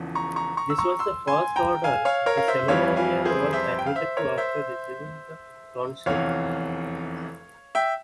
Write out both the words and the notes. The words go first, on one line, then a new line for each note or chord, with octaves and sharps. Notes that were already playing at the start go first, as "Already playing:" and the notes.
This was the first order a seminarian was admitted to after receiving the tonsure.
Already playing: E1 E2 C#3 F3
A#5 C#6
A#5 C#6
A#5 C#6
E6
A#5 C#6
C6 E6
G#5 C6
G5 A#5
F5 G#5
C#5 F5
A#4 C#5
F5
C5 E5
F2 E3 G3 C#5 F5
F5 G#5
G#4 C5
C5 E5
G5
F5
C5 E5
A#4 C#5
C5 E5
F1 E2 C3 C#5 F5
E5 G5